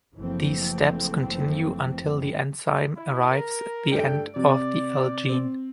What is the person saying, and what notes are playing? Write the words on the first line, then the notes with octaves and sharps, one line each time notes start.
These steps continue until the enzyme arrives the end of the L gene.
F#1 E3 F3 A3 C4
E4
A#4
G2 A3 G5 D7
C3 D5
C4